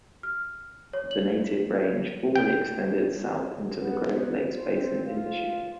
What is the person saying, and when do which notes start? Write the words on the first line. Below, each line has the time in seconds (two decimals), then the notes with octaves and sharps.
The native range formerly extended south into the Great Lakes basin in Michigan.
0.23 F6
0.93 C#5
1.11 F#7
2.36 G5
3.77 B3
4.57 C5
4.74 C4
5.05 F4